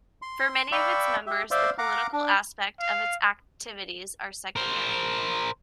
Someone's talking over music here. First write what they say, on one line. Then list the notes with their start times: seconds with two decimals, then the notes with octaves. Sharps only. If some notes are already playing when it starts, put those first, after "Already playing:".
For many of its members the political aspect of its activities are secondary.
0.22 C6
0.72 D5 F5 G5 B5 C#6 E6
1.26 G4 E5
1.51 C5 D5 E5 F5 C6
1.78 F5 F#5 A#5 D6
2.13 D4
2.80 F5
4.56 A#4 C5